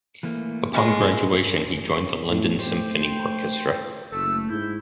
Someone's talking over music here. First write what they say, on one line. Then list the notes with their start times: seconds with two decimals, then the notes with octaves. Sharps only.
Upon graduation he joined the London Symphony Orchestra.
0.23 E3 A3 A#3
0.73 G#3 A#3 B3 F4
2.29 A2
2.59 A3 G4 C5
3.04 G5
4.12 F#1 A3 E6
4.50 G#2 E4 G6